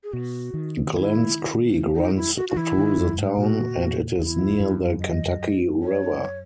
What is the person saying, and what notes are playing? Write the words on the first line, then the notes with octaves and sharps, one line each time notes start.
Glenns Creek runs through the town, and it is near the Kentucky River.
G#4
B2 F#4
D#3
E4
D#4
E4
F#4
F#4
E3 E4
D#3
F#2
G#2
A#2 F#4
E2 E4
G#2
F#2
D#5
C#5